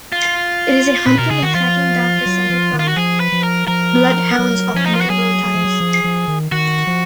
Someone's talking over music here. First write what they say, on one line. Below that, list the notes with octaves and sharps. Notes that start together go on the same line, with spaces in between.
It is a hunting and tracking dog descended from bloodhounds of medieval times.
F4
A#2 B4
B2 A#4
C#3 G#4
D#3 F#4
F3 F4
F#3
F3
D#3
F4
F#4
F3 G#4
B4
F3
A#4
F3 A#4
F#3
F3 C#4
D#4
F4
F#4
F#3 G#4
F#3
F3
F#3
F3
F3
D#3
D#3 F#4
F3